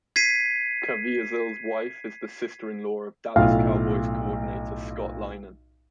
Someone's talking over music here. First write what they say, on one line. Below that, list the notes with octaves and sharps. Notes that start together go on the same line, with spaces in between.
Caviezel's wife is the sister-in-law of Dallas Cowboys coordinator Scott Linehan.
G#6 B6 C7 D#7
B1 A2 F4 F5 F6